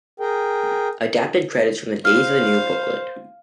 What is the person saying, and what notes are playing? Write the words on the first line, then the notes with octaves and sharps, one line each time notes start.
Adapted credits from the "Days of the New" booklet.
G#4 A#4 G5
C5 F5 F6